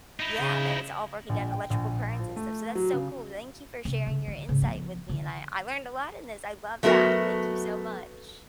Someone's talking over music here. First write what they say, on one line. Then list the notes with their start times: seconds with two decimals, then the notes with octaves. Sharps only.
yeah, there's all broken down electrical currents and stuff, so that's so cool, thank you for sharing your insight with me and I I learned a lot in this, I love that, thank you so much.
0.20 D#4 E4
0.38 C#3
1.29 A#1
1.51 G5
1.70 A#1
2.19 F3
2.36 A3
2.75 F#3
2.93 C#3
3.85 C3 C4
4.07 C#3
4.28 D3
4.49 G#2 C#3
4.62 F3 B3
5.09 D3
6.83 F#3 A3 B3 F#4 A#4